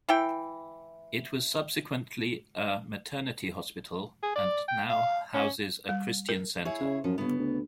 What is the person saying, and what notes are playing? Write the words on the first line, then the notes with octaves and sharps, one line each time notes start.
It was subsequently a maternity hospital, and now houses a Christian centre.
E3 E4 G5
G#4
D5
G5
F5
C#4
G3
A#4
E4 G#4 C#5
C#3
F#2 F3
G1 C#3 B3
D2